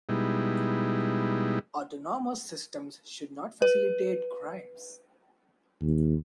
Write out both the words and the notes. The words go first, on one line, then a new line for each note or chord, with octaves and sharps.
Autonomous systems should not facilitate crimes.
B2 G3 G#3 D#4 E4
B4
D#2